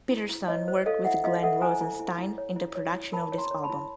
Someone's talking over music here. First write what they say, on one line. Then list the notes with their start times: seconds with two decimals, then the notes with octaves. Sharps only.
Peterson worked with Glenn Rosenstein, in the production of this album.
0.11 E4
0.29 E4
0.48 E4 C#5 D#5
0.68 C5
0.86 A4 D#5 F5
1.05 E4 E5 F#5
1.24 E4 D#5 F5
1.43 A4 E5 F#5
1.61 C5 G#5 A#5
1.81 E4
2.00 E4
2.18 E4
2.38 C#5
2.56 E4
2.75 C#5
2.94 E4
3.12 A#4 A5 B5
3.32 C#5
3.38 A#5 C6
3.51 C#5
3.63 A5 B5
3.70 E4